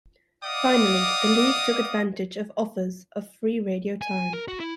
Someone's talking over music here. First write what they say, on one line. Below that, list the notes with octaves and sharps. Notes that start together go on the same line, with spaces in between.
Finally, the League took advantage of offers of free radio time.
D5 D#5 F5 F#5 D6 D#6
G#5
A#4
F#4
E4